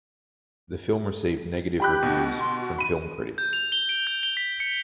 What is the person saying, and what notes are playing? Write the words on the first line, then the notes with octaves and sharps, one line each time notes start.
The film received negative reviews from film critics.
G4 G5 B5 F#6
B2
C6
F#4
B5 D#7
G6
F7
G7
D7
G6
G7
B6
C#7